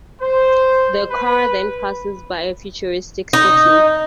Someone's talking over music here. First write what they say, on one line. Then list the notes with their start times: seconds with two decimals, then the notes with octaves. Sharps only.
The car then passes by a futuristic city.
0.21 C5
1.10 B4
3.33 D#4